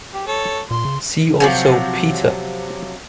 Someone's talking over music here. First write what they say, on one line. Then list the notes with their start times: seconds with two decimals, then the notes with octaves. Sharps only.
See also Peter.
0.14 G4
0.27 A4 C#5
0.71 A#2 C6
0.85 C#3
1.40 C3 F3 F#3